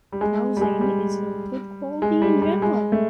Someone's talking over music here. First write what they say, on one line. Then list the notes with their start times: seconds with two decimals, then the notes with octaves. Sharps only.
Housing is of good-quality in general.
0.12 G3
0.21 G#3
0.57 G3
0.61 G#3
0.81 G3
2.02 G#3
2.22 G3
2.42 G3
2.62 G#3
2.92 A3